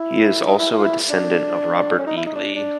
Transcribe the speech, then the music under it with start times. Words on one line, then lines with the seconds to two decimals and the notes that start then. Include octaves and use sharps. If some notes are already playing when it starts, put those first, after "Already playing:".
He is also a descendant of Robert E. Lee.
Already playing: E4
0.47 D#4
0.59 E4
0.72 E4
0.78 F4
0.84 E4
1.10 D4
1.98 C#4
2.07 D#4
2.17 E4
2.26 D#4
2.35 D4
2.55 D4